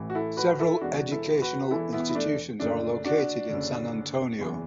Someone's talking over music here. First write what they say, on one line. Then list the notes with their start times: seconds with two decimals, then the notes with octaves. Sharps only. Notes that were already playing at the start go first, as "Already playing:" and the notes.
Several educational institutions are located in San Antonio.
Already playing: A1 A2 E3
0.10 F#4
0.15 E4 A4
0.37 F#4 B4
0.59 E4 A4
0.81 E1 E2 E3 D4 F#4
1.11 E4 A4
1.41 F#4 B4
1.71 E1 E2 E3 E4 A4
1.93 B3 E4
2.09 E4
2.15 A3 D4
2.60 F#1 F#2 D3 A3 D4
3.05 D4 F#4
3.49 F#1 F#2 D3
4.39 F#1 E2 E3